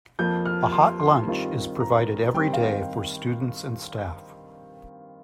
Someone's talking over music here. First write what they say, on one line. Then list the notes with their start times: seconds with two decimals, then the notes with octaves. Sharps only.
A hot lunch is provided everyday for students and staff.
0.19 F2 F3 A#3 G6
0.46 F6
0.72 C6
1.00 C6
1.27 G2 D#3 C4 F4
1.80 A#5
2.34 G2 D#3 C4 D#4 G5
2.53 F5
2.61 G5